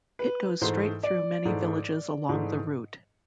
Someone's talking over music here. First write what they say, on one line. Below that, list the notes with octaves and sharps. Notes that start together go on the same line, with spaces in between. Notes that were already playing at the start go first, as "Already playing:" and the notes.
It goes straight through many villages along the route.
B4
G#2 E3 A3 C5
D5
G#2 E3 A3
G#2 E3 A3